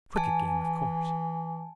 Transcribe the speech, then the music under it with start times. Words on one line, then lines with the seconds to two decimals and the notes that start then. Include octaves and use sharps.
A crooked game, of course.
0.16 E3 G#5 A5